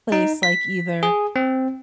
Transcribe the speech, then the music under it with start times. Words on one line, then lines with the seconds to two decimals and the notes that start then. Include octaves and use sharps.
place, like, either
0.12 D#4
0.43 B6
1.03 G#4
1.36 C4